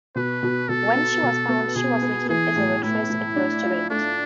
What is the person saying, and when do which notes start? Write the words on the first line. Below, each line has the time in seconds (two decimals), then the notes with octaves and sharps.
When she was found, she was working as a waitress at a restaurant.
0.16 B2 B4
0.43 B2
0.69 B2 A4
0.95 B3
1.23 B2
1.49 B3
1.75 B2 G#4
2.02 B3
2.29 E3 G#4
2.56 A2
2.83 A2 E4
3.10 A2
3.36 D4
3.63 F4
3.90 A3 D4